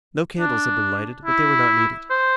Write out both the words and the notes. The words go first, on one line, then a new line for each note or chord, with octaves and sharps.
No candles had been lighted, but they were not needed.
D4
E4
C5